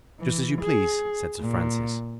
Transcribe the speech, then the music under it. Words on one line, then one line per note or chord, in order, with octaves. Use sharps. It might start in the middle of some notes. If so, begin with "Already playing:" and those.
"Just as you please," said Sir Francis.
E3
G#4
A#2